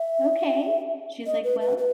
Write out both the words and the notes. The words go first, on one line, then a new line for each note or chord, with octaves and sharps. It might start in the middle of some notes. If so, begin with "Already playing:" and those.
"Okay." She's like, "Well"
Already playing: E5
D#5
B4
B4
B4